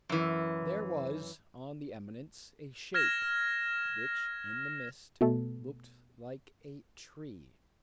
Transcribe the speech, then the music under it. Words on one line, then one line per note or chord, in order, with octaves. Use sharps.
There was on the eminence a shape which in the mist looked like a tree.
F#2 E3
F6 G#6 A#6 E7
B2 A3 A4